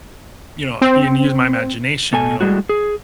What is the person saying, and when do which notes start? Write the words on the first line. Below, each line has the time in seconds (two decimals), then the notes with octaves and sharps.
you know, and use my imagination, you know?
0.81 C4
2.13 B2 A4 G#5
2.41 A2 G3 G#3 F#4
2.69 G#4